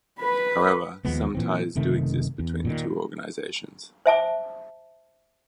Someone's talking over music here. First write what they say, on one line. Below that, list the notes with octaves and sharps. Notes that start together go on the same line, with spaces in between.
However, some ties do exist between the two organizations.
B4 B5
D#2 F3 G#3 B3
A#2 E3 C4
F#1 C3 D#3 A3
E2
A#2 D3 D#3
C5 E5 A5 D6